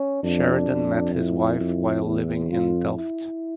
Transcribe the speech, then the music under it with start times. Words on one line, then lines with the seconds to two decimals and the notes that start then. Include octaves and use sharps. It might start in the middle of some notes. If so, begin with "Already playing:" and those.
Sheridan met his wife while living in Delft.
Already playing: C#4
0.23 F2 D4
0.69 F2
1.14 E4
1.60 F2
2.05 E2
2.50 F2 F4
2.96 E4